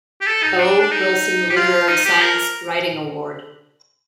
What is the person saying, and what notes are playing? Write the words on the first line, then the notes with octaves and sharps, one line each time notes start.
O. Wilson Literary Science Writing Award.
G4
A4
D#4
D4
D4
D#4
G4
F4
D#4
G4
A#4